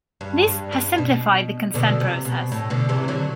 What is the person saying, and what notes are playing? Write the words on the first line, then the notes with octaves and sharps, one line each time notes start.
This has simplified the consent process.
G2
G2
G2
B2
B2 D3
C3
B2
A2
B2 D3
C3 E3
D3 F#3